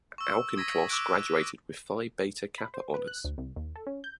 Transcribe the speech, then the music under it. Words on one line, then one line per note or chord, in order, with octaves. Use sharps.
Auchincloss graduated with Phi Beta Kappa honors.
C#6 E6
D#6 G#6 A#6 B6 D#7
C#6 D6 E6 F#6 D7
B5
C5
B4
F#6
D2
C2
D#2
A4
C#4
G6